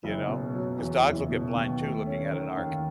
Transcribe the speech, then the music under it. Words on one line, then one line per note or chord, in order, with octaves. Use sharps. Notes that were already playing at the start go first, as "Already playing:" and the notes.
You know? 'Cause dogs will get blind too looking at an arc.
F#1
B2
F#3
E2
F#1
B2
D#2
A3
C#4
D#3
D#2